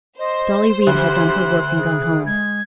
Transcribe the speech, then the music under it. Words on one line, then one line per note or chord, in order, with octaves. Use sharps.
Dolly Reid had done her work and gone home.
C5 D#5
D2 G4 F#6
G#4
G#3 G#6